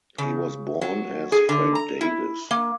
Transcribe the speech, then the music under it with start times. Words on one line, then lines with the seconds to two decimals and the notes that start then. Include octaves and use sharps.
He was born as Frank Davis.
0.18 C#3
0.81 F#3
1.32 G#4
1.49 D3
1.75 A#5
2.01 E4
2.51 A#3